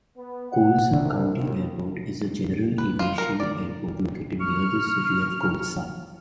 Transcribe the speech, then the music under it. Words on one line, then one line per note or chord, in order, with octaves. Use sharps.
Colusa County Airport is a general-aviation airport located near the city of Colusa.
B3
F#5
C2
D#2
B4
F4
A#4
D5
C#6 F6